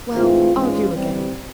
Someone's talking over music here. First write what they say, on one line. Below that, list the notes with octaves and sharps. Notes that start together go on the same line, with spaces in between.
"Well, argue again."
G#2 E3 A3 C4 F4
G#2 E3 G#3 C#4 F4
E3 G3 C4